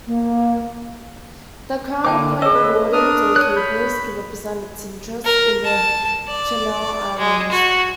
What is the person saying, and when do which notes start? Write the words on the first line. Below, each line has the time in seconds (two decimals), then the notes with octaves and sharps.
The Crown appointed Wardens or Keepers to represent its interests in the Channel Islands.
0.07 A#3
2.05 D3 A#3 C5 G5 A5 D6
2.42 C#4 G#4 C5 C#5 D#5 E6
2.54 B4
2.93 D4 A#4 D#6 F6
3.36 C#5 F#6
3.56 B5 G6
5.24 A#4
5.64 A5
6.27 D5
7.18 G#3
7.51 F#4